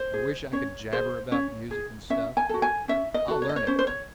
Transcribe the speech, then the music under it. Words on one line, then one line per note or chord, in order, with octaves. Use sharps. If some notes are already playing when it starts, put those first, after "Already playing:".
I wish I could jabber about music and stuff. I'll learn it.
Already playing: C5
G#4
C#4 C#5
G#4 C5
C#4 C#5
G#4
C#4 E5
G#5
F#4 A4
G#5
C#4 E5
D#5
F#4 A4
C#5
D#5
C#5
C#4 C5
C5
C#5